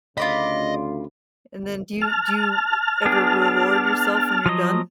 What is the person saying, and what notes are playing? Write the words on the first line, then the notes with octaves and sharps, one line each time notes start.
and then do you do you ever reward yourself when you're done?
D2 C#3 F4 D5 D#5 B5
A5 F6
B3 D4 G#4
F3 F#3 D#5